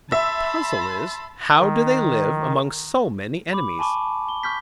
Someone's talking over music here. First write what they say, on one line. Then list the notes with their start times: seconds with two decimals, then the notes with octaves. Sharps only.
The puzzle is, how do they live among so many enemies?
0.12 E5 A5 B5 C6
1.60 D#3
3.53 B5 D6
3.79 G#5 A5 B5 C#6 D6
4.29 G7
4.43 C#6 F6 G6 B6